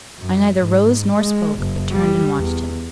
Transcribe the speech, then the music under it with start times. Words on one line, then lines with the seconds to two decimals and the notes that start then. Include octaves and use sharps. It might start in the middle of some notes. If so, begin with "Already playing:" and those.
I neither rose nor spoke, but turned and watched him.
0.18 F#2
0.57 G#2
1.15 G#3
1.59 F#1
1.92 G3
2.37 E2